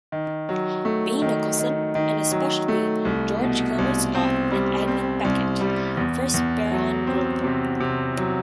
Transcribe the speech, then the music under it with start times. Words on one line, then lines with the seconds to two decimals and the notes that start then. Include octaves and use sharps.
B. Nicholson, and, especially, George Gilbert Scott and Edmund Beckett, first Baron Grimthorpe.
0.12 D#3
0.49 F#3
0.85 A3
1.22 D#3
1.58 D#3
1.95 D#3
2.31 F#3
2.68 A3
3.05 C2
3.42 B2
3.78 C2
4.15 C4
4.51 G3
4.88 C4
5.24 C2
5.61 G3
5.97 E2
6.34 E2
6.71 F#3
7.07 C4
7.44 C3
7.80 C3
8.17 F#3